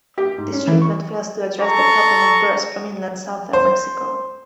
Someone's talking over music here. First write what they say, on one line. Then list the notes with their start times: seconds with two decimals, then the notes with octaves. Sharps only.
This treatment fails to address the problem of birds from inland southern Mexico.
0.18 G4
0.38 G#2
0.52 C#4
0.67 E3
0.82 C#6
1.61 A4 A#5 C#6
3.53 C5